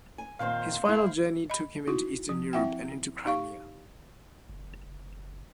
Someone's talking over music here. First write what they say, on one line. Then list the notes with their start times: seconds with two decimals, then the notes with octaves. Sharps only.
His final journey took him into Eastern Europe, and into Crimea.
0.18 G#5
0.39 A#2 D#3 C4 C5 F5
0.85 G#3 E4
1.50 D#5 B5
1.87 D#4 E4 F#4
2.29 F3
2.53 C4 E4 E5 F#5 G5
3.25 D#4 G4 F5 C#6
4.49 F#1